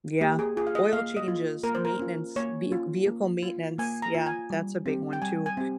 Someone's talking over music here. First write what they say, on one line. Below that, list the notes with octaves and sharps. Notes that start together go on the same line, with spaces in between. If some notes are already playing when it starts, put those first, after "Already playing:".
Yeah. Oil changes, maintenance, vehic vehicle maintenance. Yeah, that's a big one too.
A#3 G4
G#4
F4 G#4
F5
D#5
A#3 F5
D#5
F4
A#3 A#4
C5
A#4
C#4 F4
A#3 C#5
C#4 F4
A#3
F4
A#3 G#5
A#5
F4
G#5
G3
C4 G4
G5
G3 G#5
G#5
C4 G4